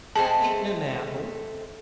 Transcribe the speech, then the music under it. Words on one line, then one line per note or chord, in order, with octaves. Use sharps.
"Eatin' 'n apple."
G#3 A3 C4 A5